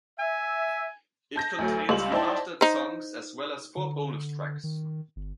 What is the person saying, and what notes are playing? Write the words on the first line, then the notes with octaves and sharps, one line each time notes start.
It contains remastered songs, as well as four bonus tracks.
E5 G#5
A5 G6 A#6
D2 F#3 A3
C#2 G3 C6 F#7
D#4 E4 C5 D5 G5 A5
D#4 C5
D3
D#3
G1